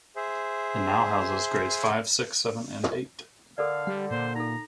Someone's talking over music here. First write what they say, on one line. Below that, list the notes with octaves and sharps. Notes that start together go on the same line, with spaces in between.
It now houses grades five, six, seven, and eight.
G#4 C5 E5
D3 A4 A#4 D5 F5
G3 F#5
A#2 C5
D#4 A4 A#5